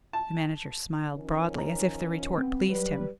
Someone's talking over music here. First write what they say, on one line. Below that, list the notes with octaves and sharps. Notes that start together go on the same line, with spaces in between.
The manager smiled broadly, as if the retort pleased him.
A5
D#3 F3 C#4
A#5
B3 C4
F#3 G3 B4